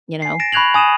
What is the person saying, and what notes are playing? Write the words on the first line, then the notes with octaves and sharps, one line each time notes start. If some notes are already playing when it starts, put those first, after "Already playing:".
you know,
G#5 C7
A6 A#6 D7 E7
B5 C#6 F#6 G#6 F7 F#7
G#5 D#6 D#7 E7